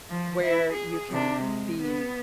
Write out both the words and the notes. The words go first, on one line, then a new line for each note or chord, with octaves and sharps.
where you can be f
F3
E4
G#4
C3 D4
G#3
B3